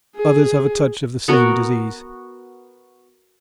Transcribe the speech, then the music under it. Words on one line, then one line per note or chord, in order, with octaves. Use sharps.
Others have a touch of the same disease.
G#4
B3 F#4 A#4